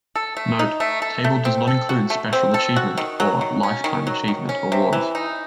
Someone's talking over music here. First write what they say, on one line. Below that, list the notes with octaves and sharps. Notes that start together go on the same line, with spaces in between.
Note: Table does not include 'Special Achievement' or 'Lifetime Achievement' awards.
A4
A3
D#4
A3
A4
A3
C4
A4
F#4
A3
C4
A4
F#4
D#3
F#3
D#3
C#4
D#3
F#3
D#3
C#4
C3
E3
D#4